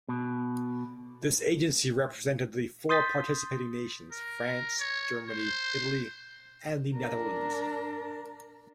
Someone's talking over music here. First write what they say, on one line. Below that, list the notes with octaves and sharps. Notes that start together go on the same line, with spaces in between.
This agency represented the four participating nations: France, Germany, Italy, and the Netherlands.
B2
C6 D#6 G6 A6 B6
A#4
C#5
C5
D4 A#4